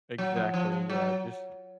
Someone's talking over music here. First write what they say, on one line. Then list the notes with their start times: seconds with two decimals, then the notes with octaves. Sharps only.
Exactly, yeah, just
0.18 F#3
0.36 F3
0.54 F3
0.72 F3
0.90 F#3